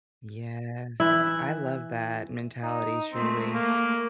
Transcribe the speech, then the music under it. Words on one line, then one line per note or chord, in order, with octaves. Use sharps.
Yes. I love that mentality, truly.
E3 E4
D#4
G#3 A3 C4
A#3